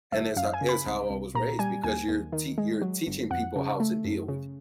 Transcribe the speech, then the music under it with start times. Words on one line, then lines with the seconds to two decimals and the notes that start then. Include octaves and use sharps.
And it's ho it's how I was raised because you're tea you're teaching people how to deal with you.
0.12 G1 E5
0.36 F#2 F5
0.53 G#5
0.61 C#3
0.69 B5
0.86 C2
1.10 C2
1.35 A#2 A#5
1.59 G3 G#5
1.84 D#2 G#5
2.09 D#2
2.32 D#3
2.58 G#3
2.82 F#3
3.07 G1
3.30 F2 F#5
3.56 C#3
3.80 A3
4.04 F#2
4.28 C#3